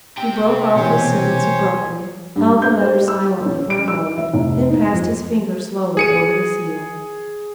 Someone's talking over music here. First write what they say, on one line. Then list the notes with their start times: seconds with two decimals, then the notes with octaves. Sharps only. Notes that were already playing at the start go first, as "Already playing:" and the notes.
He broke off his sentence abruptly, held the letter silently for a moment, then passed his fingers slowly over the seal.
0.18 C3 G5
0.76 B2 E3 G4 C5 C#5 G#5
2.36 G2
2.62 G6
2.80 C5
2.94 G4
3.08 E6
3.45 C#4
3.70 D7
3.88 E6
4.18 E5
4.34 F1
4.70 D#4
4.93 F2
5.97 G#4 C#7 D#7